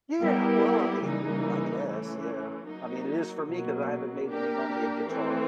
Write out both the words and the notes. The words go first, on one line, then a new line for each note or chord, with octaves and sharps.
Yeah. Well, I mean, I guess, yeah. I mean, it is for me 'cause I haven't made any money at guitar.
G3 B3 E4 G4 A#4
C#3 E3 G3 A#3 D#4
E3 A3 C#4
F#3 A#3 D#4
B2 F#3 A#3
A#3 D4 G4 A#4
E3 A3 C4